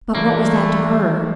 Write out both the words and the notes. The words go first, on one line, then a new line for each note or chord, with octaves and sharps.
But what was that to her?
E3 A3 A#3 D4 F4